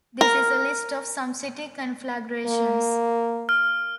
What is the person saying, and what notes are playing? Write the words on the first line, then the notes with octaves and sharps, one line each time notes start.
This is a list of some city conflagrations.
A#4
A#3
F6